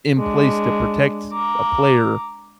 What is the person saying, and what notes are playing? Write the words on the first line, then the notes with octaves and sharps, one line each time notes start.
in place to protect a player,
G#3 D4
A#5 D6